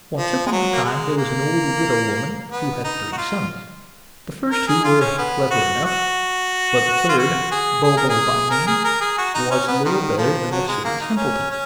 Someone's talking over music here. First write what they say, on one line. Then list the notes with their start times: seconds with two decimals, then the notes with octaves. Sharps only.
Once upon a time there was an old widow woman who had three sons: the first two were clever enough, but the third, Bobo by name, was little better than a silly simpleton.
0.17 F3
0.46 G#3
0.51 F#3
0.73 A#3
0.84 G#3
1.17 A#3
2.52 B3
2.84 D#4
3.12 F#4
3.17 F4
4.52 A#4
4.68 G#4
4.84 F4
5.01 C#4
5.18 B3
5.51 F#4
5.85 F#4
7.09 F4
7.18 F#4
7.51 G#4
7.84 G#4
7.97 A#4
8.09 G#4
8.50 A#4
8.67 G#4
8.84 A#4
9.01 G#4
9.18 F#4
9.34 D#4
9.51 C#4
9.68 B3
9.85 D#3
10.18 F3
10.51 F#3
10.68 G#3
10.84 A#3
11.01 D#4
11.17 C#4
11.51 C#4